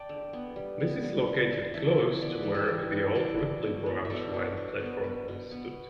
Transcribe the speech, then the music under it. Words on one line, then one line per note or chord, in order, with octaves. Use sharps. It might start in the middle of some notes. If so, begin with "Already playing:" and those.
This is located close to where the old Ripley branch line platform once stood.
Already playing: D5 G5 A5
D3
B3
G3
B3
D3
G3
D3
E3 E5 A5
E3
B3 D5
B4
E3 A4
G4 B4
E3
E3
E3 A4 D5
E3
B2
B3
E5
B2 A4 D5
B2
D4
B3
B3
B2
B3